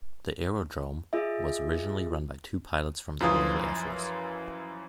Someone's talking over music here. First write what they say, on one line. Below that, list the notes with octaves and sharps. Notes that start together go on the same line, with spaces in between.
The aerodrome was originally run by two pilots from the Royal Air Force.
F4 G#4 D#5 E5
F#2 E3 F3 F4 D#6